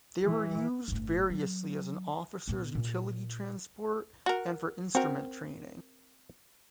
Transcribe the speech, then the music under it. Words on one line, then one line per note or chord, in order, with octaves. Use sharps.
They were used variously as an officer's utility transport and for instrument training.
E3
G1 A2
F#3
A#2 B3
A#2
F#4 A#4
C4 F#4 A#4